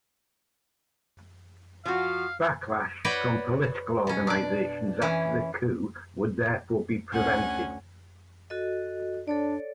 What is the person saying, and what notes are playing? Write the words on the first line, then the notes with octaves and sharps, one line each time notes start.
Backlash from political organizations after the coup would therefore be prevented.
F3 F#4 F5
F#4 B4 C#5 D5 F#5 G5
B2 C#4
D4 D5
E3 C#4
D2 C#4 F#5 G#5
F#4 A4 D#5
D4 A4 C#5 D5